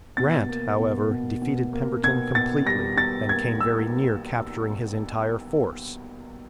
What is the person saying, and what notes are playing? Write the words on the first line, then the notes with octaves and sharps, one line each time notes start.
Grant, however, defeated Pemberton completely, and came very near capturing his entire force.
B2 A6
A#3
B2
B2
B2
A#3
B2 G#6
B2 A6
G3 A#6
B2 A6
A#3 G#6
A#3 E6